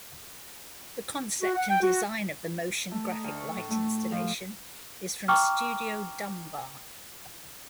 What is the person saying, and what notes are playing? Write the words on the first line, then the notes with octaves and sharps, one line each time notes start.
The concept and design of the motion graphic light installation is from Studio Dumbar.
F#4
F#5
G5
F#4
A3
D#4
D2
C#6
A2
A3
F3
G5 A#5 C#6 D6 F6